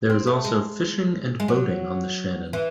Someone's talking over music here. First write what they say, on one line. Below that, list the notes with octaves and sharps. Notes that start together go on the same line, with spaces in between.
There is also fishing and boating on the Shannon.
C4
A3
G#3
G#3
F#3
E3